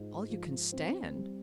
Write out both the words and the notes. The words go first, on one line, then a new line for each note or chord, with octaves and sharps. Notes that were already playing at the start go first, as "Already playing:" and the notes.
"All you can stand?"
Already playing: G#2 F4
F3
C4
G3